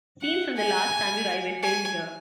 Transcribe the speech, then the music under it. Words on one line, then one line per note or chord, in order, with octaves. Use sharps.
Scenes from "The Last Samurai" were filmed here.
F#5
G#5
G#5